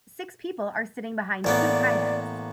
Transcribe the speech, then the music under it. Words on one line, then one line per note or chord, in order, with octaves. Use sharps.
Six people are sitting behind two kayaks.
A1 A#3 B3 D5